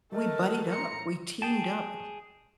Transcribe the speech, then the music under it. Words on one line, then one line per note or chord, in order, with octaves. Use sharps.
we buddied up, we teamed up.
E3 A3 A#4 D#5 A5
A2 A#5 C6 C#7
G#4 G5 A5